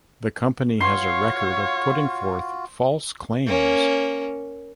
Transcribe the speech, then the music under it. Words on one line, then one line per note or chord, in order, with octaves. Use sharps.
The company has a record of putting forth false claims.
F4 F#4 C#5 F5 C6
A#3 C#4